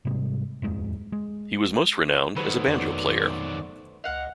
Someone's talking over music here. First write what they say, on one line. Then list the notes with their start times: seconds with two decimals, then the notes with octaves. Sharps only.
He was most renowned as a banjo player.
0.05 G#2 C3 G3 G#3
0.62 D#1 F2 G#2 G#3
1.12 G#3
2.36 D#3 F#3 A3 B3 C5
2.67 F2 D5 D6
4.04 C#2 D#5 F5 F#5